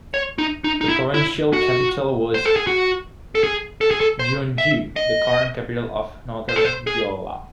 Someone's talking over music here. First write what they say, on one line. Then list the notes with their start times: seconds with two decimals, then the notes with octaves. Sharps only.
The provincial capital was Jeonju, the current capital of Northern Jeolla.
0.14 C#5
0.38 D#4
0.64 D#4
0.81 D#4
0.89 E4
1.14 E4
1.53 F#4
2.34 C5
2.45 A4
2.56 G#4
2.67 F#4
3.35 A4
3.44 G#4
3.81 A4
3.91 G#4
4.01 A4
4.19 C5
4.58 E5
4.96 D#5
6.49 C5
6.56 A4
6.65 C5
6.87 G#4